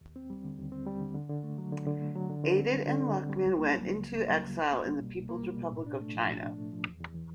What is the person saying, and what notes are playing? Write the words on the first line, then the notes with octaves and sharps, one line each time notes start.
Aidit and Lukman went into exile in the People's Republic of China.
D#2
C4
G3
D3
D#2
C4
G3
D3
D3
D3
A3
F#3
D3
D3
A3
F#3
D3
D3
C4
G3
D3
D3
C4
G3
C#2
A#3
F#3
C#3
C#2
A#3
F#3
C#3
C2
A#3
G3
B2
C2
A#3
G3
B2
A2
D4
A3
F3
A2
D4
A3
F3
E2
E2
E3